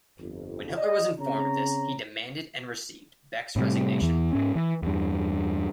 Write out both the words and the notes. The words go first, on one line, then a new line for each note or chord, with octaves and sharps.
When Hitler was informed of this, he demanded and received Beck's resignation.
G1 F2
D5 D#5
C#3 C4 C#5 A#5
A2 C3 G3
E2 E3
G#2 C#4
E3
E2 G2